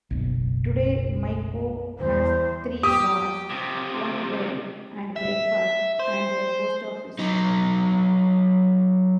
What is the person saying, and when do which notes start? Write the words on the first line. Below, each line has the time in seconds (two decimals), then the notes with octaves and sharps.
Today Mico has three bars, one bed and breakfast, and a post office.
0.11 F#1 B1
1.99 E2 C5
2.83 G4 D#6
3.50 C#2 C3
5.16 E5
5.99 C5
7.19 F#3 D#4